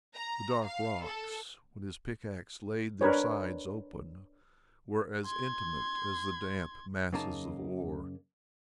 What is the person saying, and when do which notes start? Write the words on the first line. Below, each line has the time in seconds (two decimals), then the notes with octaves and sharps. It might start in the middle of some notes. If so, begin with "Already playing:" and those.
The dark rocks, when his pickaxe laid their sides open, were as inanimate as the damp masses of ore.
0.13 A#5
0.65 F5
1.03 A4
3.01 D4 A#4 B4 C#5
5.25 C6 G#6
7.13 F#2 C#3 A#3 D#4 G4 A5